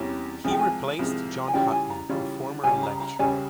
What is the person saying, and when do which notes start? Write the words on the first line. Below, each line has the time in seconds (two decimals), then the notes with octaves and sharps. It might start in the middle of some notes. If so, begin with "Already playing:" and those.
He replaced John Hutton, a former lecturer.
Already playing: E2 C3 E3 G3 C#4 A#5
0.44 C2 C3 F3 G#3 G#5
0.51 G5
0.59 G#5
0.99 C2 C3 F3 G#3
1.48 G#5
1.54 C#3 E3 G3 C#4 F4 G5
1.72 G#5
1.90 A#5
2.09 C#3 E3 G3 C#4 F4
2.64 C#2 C#3 G3 C#4 G#5
2.83 A#5
3.00 A#5
3.19 C#2 C#3 G3 C#4 G#5